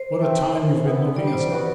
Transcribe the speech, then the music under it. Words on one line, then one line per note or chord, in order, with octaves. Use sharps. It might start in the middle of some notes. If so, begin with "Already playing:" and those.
"What a time you've been looking us up."
Already playing: C5
E3 A3 C4
F#2
E3 B3
G3 D5
C5
D5
B3 F#4 B4 D5